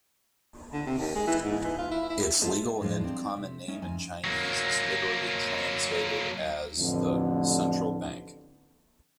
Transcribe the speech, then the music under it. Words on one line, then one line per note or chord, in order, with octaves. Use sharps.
Its legal and common name in Chinese is literally translated as the "Central Bank".
D3
C3
D#2
G#3
E3
G#2
E3
F4
E4
E4
A3 F4 G#4 A4 C5 D#5
A2 F3 G#3 D4 F4
C4 D4
C3
A3 C#4 D#4
F2 G#5
F#3 A#3
A1 F2 D3